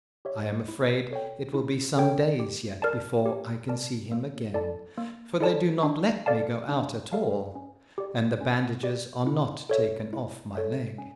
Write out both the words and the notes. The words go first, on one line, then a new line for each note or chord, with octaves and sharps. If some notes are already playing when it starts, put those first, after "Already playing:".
I am afraid it will be some days yet before I can see him again, for they do not let me go out at all, and the bandages are not taken off my leg.
G4 C#5 E5
E4
A4 C#5 G5
E4
A4 C#5 G5
G4
A#4 D5 A5
G4
A#4 D5 A5
A#3
E4 A4 D5 A5
A#3
E4 A4 D5 A5
D4
A4 D5 F5 A5
D4
A4 D5 F5 A5
C#4
G4 D5
C#4
G4 D5
E4
A4 C#5 E5
E4
A4 C#5 E5
C#4